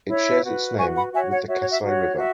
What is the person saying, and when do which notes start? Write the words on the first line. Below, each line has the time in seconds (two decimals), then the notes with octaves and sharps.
It shares its name with the Kasai River.
0.08 E4 C#5
0.44 F#4 B4
0.78 F#4 B4 G#5 C#6
0.96 F#5 B5
1.13 F#4 C#5 E5 G#5
1.30 C#5 F#5
1.48 F#4 C#5 E5
1.60 C#5
1.71 E5
1.84 F#4 C#5
2.18 F#4 E5